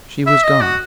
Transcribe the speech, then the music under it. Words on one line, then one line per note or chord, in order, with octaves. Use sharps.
She was gone.
E5
D#5
F#4